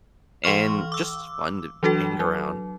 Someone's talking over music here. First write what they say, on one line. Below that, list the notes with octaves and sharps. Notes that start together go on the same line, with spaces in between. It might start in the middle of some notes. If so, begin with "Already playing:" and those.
and just fun to hang around.
E3 F5 C6 C#6 F6
D6 E6
E3 F#3 D4 F#4 A4
F#3